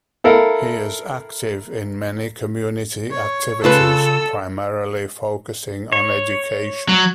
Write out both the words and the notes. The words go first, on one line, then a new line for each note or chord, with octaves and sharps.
He is active in many community activities, primarily focusing on education.
E4 A4 A#4 F5
C#5
C#3 F4 A4 B4 E6
C#5
F#3